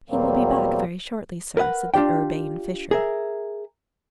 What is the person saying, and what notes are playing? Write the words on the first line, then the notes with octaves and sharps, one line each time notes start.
"He will be back very shortly, sir," said the urbane Fisher.
E2 B2 F#3 G3 A#3 C4
A#4 B4 D#5 F#5
D4 F4 G4 D5 G5
G#4 A#4 E5